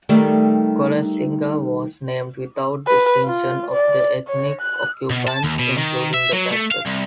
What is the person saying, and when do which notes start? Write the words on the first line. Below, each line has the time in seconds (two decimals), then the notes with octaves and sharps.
Quillasinga was named without distinction of the ethnic occupants including the Pastos.
0.09 D#3 G3 A3
2.87 B4
3.25 F4
3.71 D5
4.28 C#5
4.61 F#6
5.10 B2
5.28 A5
5.44 D#2
5.59 B2
5.78 D#3
6.14 E5
6.33 F#3
6.52 A3
6.71 F5
6.86 C2